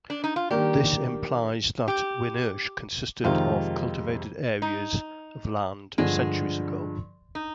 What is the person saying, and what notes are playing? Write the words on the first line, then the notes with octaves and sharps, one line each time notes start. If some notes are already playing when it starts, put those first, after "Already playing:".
This implies that Winnersh consisted of cultivated areas of land centuries ago.
D4
D#4
F4
D#3 G3 A#3 D4 G4
G4
F2 C3 D#3 G#3 D#4 F4
D#4
G2 D3 F3 G#3
D#4